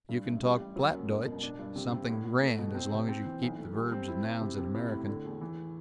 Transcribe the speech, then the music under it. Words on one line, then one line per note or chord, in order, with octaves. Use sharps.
You can talk Plattdeutsch something grand, as long as you keep the verbs and nouns in American.
G2
A1
G3
G3
F#3
F#2
E1
B2
D4
G2
C3
C3
A2
A2
A3
B2
C4
C3
C4
E3
B1
A3
G3
C4
E4
E4
C3
C3
E4
A2
D3
E2
E3